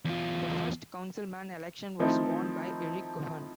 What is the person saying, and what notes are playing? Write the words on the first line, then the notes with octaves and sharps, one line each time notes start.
The first councilman election was won by Eric Cohen.
E2 F4
D#3 F3 A3 C4 D#4 E4